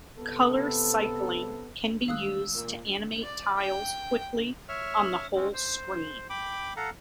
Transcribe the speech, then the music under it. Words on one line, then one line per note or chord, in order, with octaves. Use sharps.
Color cycling can be used to animate tiles quickly on the whole screen.
C3 B3 A4
D#3 G#3 A3 F5 D#6 E6 F#6
A#2 A#3
D5
G5
C#5 E5 F6
G#3 C4 C#4
C5
G5 B5 D6
A4 F5 F#5 A#5